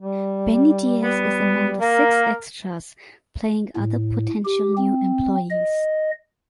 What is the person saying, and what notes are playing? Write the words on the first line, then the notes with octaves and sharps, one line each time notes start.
Benni Diez is among the six extras playing other potential new employees.
G3
B3
A#3 A#4
A2
G4
C4
D#5